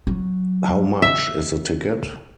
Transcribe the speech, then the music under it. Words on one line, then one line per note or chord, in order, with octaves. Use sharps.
How much is the ticket?
F#3
E5